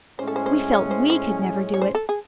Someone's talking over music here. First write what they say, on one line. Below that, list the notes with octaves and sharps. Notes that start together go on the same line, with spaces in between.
We felt WE could never do it.
A2 G#3 C#4 C5
A4
C5
C5
C#5
C5
C5
C#5
C5
A4
G#4